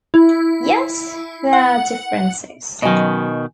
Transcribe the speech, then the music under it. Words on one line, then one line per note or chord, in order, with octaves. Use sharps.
Yet, there are differences.
E4
F#5
B2 D#3 F#3 C#4 D#4 D#5 G#5